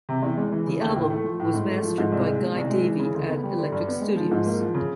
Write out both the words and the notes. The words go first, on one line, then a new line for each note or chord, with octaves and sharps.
The album was mastered by Guy Davie at Electric studios.
C3
E2
G#3
E3
C#3
D#2
A2
A3
F3
A2
G#2
A3
F3
G#2
C2
G#3
B2
C2
G#3
E3
C#3
D2
B3
G3
D3
G2
B3
G#3
F3
G#2
A#3
F3
C#3